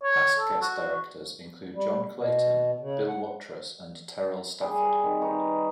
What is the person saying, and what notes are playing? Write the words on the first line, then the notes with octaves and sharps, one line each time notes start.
Past guest directors include John Clayton, Bill Watrous, and Terell Stafford.
C#5
A4
F#4
G3
B2
C#3
F#5
G3 G#4
D#3 C4
D#4 B4 C#5